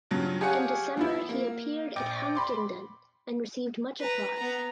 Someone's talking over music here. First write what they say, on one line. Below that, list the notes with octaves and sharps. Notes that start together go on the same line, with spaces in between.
In December he appeared at Huntingdon and received much applause.
G2 C#3 F3 F#3
G4 G#4 C#5 F5 F#5 G#5
F3 B3 E4
A#3
A#1 G5 D6
B5 C6 D6
B4 A#5
B3 A#5